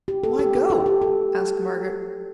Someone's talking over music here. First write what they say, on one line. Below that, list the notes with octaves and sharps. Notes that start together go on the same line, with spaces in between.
"Why go?" asked Margaret.
G4
A4
G4
A4
G4
G4
A4